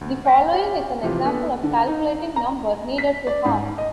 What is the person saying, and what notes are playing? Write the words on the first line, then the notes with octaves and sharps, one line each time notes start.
The following is an example of calculating number needed to harm.
D2
F5 G5 C#6 A#6 B6
F#4 G4 C#5 F5 B5
C3 E3 F3 F4 G4
A#3 B3 D4 A4 B4
D3
D#4
A#5
B6
D5
G#2
D#5